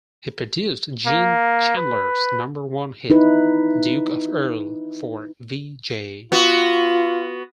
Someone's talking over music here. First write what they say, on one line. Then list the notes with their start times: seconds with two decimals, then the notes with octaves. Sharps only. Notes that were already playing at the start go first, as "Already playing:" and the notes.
He produced Gene Chandler's number One hit, "Duke Of Earl" for Vee-Jay.
1.06 A#3
1.77 B4
3.10 D#4 E4 B4
6.32 B3 F4 F#4